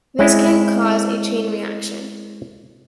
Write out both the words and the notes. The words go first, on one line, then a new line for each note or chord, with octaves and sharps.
This can cause a chain reaction.
G#3 C4 C#4 E4